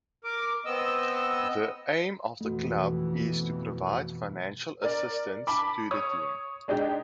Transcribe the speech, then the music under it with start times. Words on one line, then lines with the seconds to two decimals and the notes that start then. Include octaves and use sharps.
The aim of the club is to provide financial assistance to the team.
0.24 A#4 D6
0.66 B3 C4 D#5 E6
2.41 F2 B2 E3 A3 F#4
4.82 A#4 D5
5.47 A5 B5 D6
5.91 C#5 D#6
6.68 G#3 D4 D#4 G4